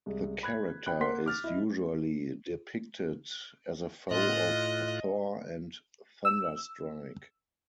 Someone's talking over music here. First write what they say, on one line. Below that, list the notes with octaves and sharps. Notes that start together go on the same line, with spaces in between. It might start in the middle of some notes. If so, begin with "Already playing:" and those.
The character is usually depicted as a foe of Thor and Thunderstrike.
C2 G#3
B5 F#6 G#6
G5 B5 F#6
A#3 A#4 F#5 C6 B6
D6 F6 A6
E4 D#5
A2 F4 D#5 F#6
E6